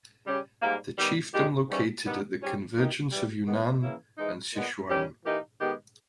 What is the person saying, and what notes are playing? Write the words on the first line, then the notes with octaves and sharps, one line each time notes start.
The chiefdom located at the convergence of Yunnan and Sichuan.
C#3 G3 C#4 G4
G#2 G3 A#3
D#3 G3 B3 G4
A#2 G#3 D#4 G4
G#2 E3 G3 C#4
D#3 G3 B3 D#4
G#2 G3 C#4 G4
E3 A#3 D#4 G4
G#2 E3 G3
D#3 G#3 B3
C#3 E3 A#3 C#4 E4
G#2 E3 G#3 D#4
A#2 G#3 B3
D#3 G3 C#4 G4
E3 A#3 D#4 G4
D#3 G#3 B3 G4